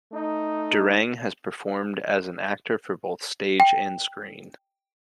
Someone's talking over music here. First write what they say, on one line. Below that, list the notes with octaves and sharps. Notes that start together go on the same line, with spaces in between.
Durang has performed as an actor for both stage and screen.
A3 D#4
G5